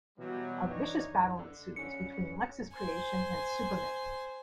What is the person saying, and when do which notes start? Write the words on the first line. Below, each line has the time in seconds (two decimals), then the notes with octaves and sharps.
A vicious battle ensues between Lex's creation and Superman.
0.19 B2 E3 F#3 G3
0.69 E3 D4 D#4 C#5
1.39 D3
1.76 D3 C#4 C#7
2.73 C5 G#5